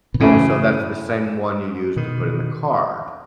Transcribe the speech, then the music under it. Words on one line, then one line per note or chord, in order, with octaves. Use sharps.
And so, that's the same one you use to put in the car.
B2
F#2 A2 C#3 E3 A3 E4
B2 D#3